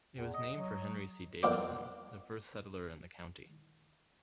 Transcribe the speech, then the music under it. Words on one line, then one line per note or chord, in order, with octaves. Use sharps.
It was named for Henry C. Davison, the first settler in the county.
E2
D#5
F#3
F2 A#3 B3 D4 C5 D6